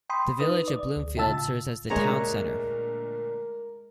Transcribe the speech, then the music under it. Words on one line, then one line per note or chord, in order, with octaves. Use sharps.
The village of Bloomfield serves as the town center.
G5 B5 C6 D#6
D#4 B4 D#6
D5
D2
A2 C#3 F4 A5 E6 A6
A#2 D3 G#3 A3 A#4 C#5 F#5 A#5